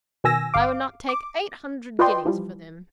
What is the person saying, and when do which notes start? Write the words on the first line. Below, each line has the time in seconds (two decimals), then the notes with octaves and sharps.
I would not take eight hundred guineas for them.
0.24 B2 D#3 G#5 E6 A#6
0.54 G1 F5 D6
1.09 D6
1.99 F4 B4 D5 D#5 G5 C6
2.25 E3 F3 G3